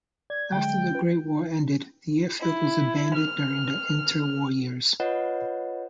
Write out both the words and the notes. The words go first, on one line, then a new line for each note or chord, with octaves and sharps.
After the Great War ended, the airfield was abandoned during the inter-war years.
D5 G#6
D3 F#3 G#3 G5
G5
C#4 F4 B4
E4
F6
F4 B4 C#5 D#5 F#5